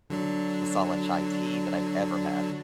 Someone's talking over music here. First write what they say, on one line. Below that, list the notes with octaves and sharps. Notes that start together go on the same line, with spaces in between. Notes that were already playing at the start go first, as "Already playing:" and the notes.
masala chai tea that I've ever had.
D3 F#3 D4